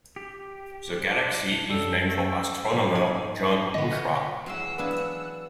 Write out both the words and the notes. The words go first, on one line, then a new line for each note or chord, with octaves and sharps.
The galaxy is named for astronomer John Huchra.
G4
D4
F#2 G3 A4
A3
G#2
G#5
D3 B3 D#5
E3 F#3 G#3 F5 F#5 C6 E6
B3 D4 B4 F5 G#5